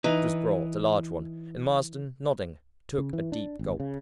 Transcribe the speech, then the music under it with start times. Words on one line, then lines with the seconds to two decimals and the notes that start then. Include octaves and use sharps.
It was brought, a large one; and Marsden, nodding, took a deep gulp.
0.04 E3 D#4
2.98 C#3
3.13 E3
3.32 D4
3.59 G#1
3.80 C#3